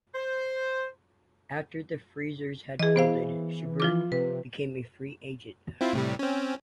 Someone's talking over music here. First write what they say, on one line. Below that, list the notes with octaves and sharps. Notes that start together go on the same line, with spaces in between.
After the Freezers had folded, Schubert became a free agent.
C5
E3 G#4 D#5
E3 B3 C5 F5
F3 F4 D6
C3 B4
C4 E4 F4
A2 C3 G3
C4 C#4